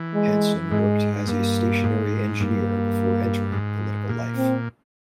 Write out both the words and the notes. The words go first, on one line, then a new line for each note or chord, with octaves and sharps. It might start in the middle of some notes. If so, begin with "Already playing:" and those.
Hansen worked as a stationary engineer before entering political life.
Already playing: E3
G#3
G#2 G#3
G2 A#3
G#2
G2 A#3
G#2
A#2
C4